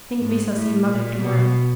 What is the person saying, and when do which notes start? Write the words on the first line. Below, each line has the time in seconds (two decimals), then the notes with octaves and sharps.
Think Missa see Mother to-morrow.
0.20 G#2
0.54 A2
0.88 A#2
1.22 B2